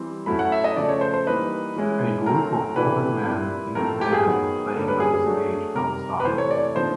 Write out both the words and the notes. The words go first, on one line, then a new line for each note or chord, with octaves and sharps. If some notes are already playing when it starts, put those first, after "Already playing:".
A group of older men in a band playing on a stage outside.
Already playing: E3 G3 C4
F#3 A3 C#4 E4 B5
F#5
E5
D#5
C#3 F3 A3 D5
C#5
C5
C5
E3 G3 A#3 D#4 B4
E3 G#3 C#4 E4
F#3 A3 C4 A#4
A2 E3 A3 D4 B4
A#2 G3 C4 E4
A2 F3 A3 C4 A#4
G4
G#4
D#3 F#3 B3 D#4
D3 G3 A#3 C#4 A4
B4
G#4
G#4
F#3 A3 D4
C3 D#3 G3 A#4
B4
C3 E3 A3 C5
C#5
D5
C#5
D3 F3 A#3 D#4 C5